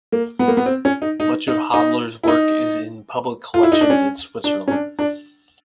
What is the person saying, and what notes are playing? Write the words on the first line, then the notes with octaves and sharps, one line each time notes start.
Much of Hodler's work is in public collections in Switzerland.
A#3
B3
A#3
B3
C4
C#4
D#4
D#4
D#4
D#4
E4
D#4
F4
E4
D#4
D4
C#4
D4
C#4
D4
D4